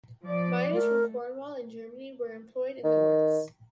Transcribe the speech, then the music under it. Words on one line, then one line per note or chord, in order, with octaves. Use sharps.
Miners from Cornwall and Germany were employed in the works.
F3 D5
A3 A#4
D#3